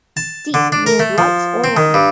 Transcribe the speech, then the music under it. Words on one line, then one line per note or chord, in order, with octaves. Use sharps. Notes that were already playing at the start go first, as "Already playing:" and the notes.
"Deep", means "light" or "lamp".
A5
D3
D4
A#4
A3
F3
C4
D#3
G2